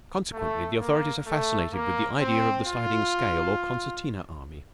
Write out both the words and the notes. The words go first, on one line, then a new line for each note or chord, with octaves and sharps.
Consequently, the authorities are fascinated with the idea of the sliding scale or concertina army.
A3
A#3
A3
A#3
C4
F4